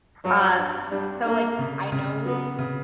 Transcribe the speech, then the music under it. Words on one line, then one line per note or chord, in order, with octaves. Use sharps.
Um, so, like, I know
G2 F#3
D4
G3 D4
A#3 D4
C#3
C#3
F#3 B3
C#3